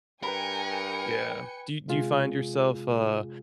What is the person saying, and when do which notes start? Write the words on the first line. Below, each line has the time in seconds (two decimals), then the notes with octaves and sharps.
Yeah, do do you find yourself, uh,
0.23 G2 A#4 B4 G5 G#5 B5 C#7
1.88 C3 G#3 F4 G#4